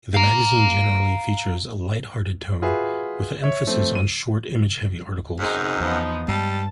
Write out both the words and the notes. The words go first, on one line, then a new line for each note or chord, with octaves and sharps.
The magazine generally features a light-hearted tone, with an emphasis on short, image-heavy articles.
F5 A#5
F4 F#4 G#4 B4 E5
C#5 E5
F3 A3 C4
D#7
F#2 C4 D#4 G#4
E2 F3 B3 D#4
G2 G3 G#3 A5